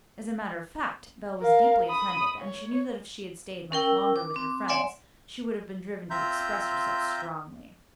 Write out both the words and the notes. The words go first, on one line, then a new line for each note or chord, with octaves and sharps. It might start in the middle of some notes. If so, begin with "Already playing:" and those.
As a matter of fact Belle was deeply offended, and she knew that if she had stayed much longer with her friends she would have been driven to express herself strongly.
A#4 F5
B5 D#6
C#5
C#4 A#4 G5 E6
D6
C4 D6
C#5 D5 E5 F#5 G#5 C6
C4 F4 E5 A#5 G6